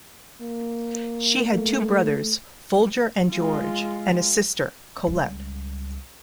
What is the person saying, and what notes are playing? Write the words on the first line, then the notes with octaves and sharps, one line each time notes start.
She had two brothers, Folger and George, and a sister, Collette.
A#3
A3
G#3 F4
C#2 G3